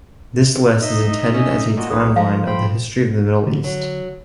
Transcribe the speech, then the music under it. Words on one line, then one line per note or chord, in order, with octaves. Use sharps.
This list is intended as a timeline of the history of the Middle East.
D#4 D#5 E5
C#4
A#2 F#4 D#5
B1 A4 B4 C#5
F3 F5 A#5
C5 G5 B5
D3
F#3